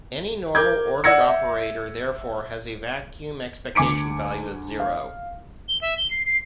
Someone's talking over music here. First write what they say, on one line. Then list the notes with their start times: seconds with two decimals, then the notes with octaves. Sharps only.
Any normal ordered operator therefore has a vacuum expectation value of zero.
0.55 A#4 D6 G6 G#6
1.04 D5 F#5 E6 G#6 A#6 C#7
1.29 E5
3.75 D2 G#5 D6 C#7 D7
4.80 F5
5.69 G7
5.81 E5
5.98 G7
6.11 C7
6.26 C7